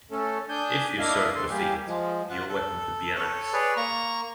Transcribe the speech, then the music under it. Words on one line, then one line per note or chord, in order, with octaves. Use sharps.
If you serve the Fiend, your weapon could be an axe.
A3 C#4 A4
D4 G#5 D#6 G6
A#3 D4 E4 D#5 F5
E2 C3 A4 C6
G3 A#3 G4 G#4
F3 G#3
F4 F#5
A4
A4 C#5
G#4 B4 C#5 D5
A#3 A#5 C#6